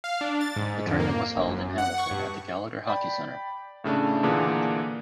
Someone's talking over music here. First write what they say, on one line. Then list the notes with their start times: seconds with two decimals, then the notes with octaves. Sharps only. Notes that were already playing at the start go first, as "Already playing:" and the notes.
The tournament was held in Hamilton at the Gallagher Hockey Centre.
0.04 F5
0.21 D4
0.41 A6
0.56 G#2
0.86 F2
1.00 A#3
1.36 G1
1.47 F#2
1.78 F#5
1.98 C#6
2.11 G2
2.87 D5 G5 B5
3.84 A2 C#3 A3 D4
4.23 A#2 D3 E3 A#3 D4 G#4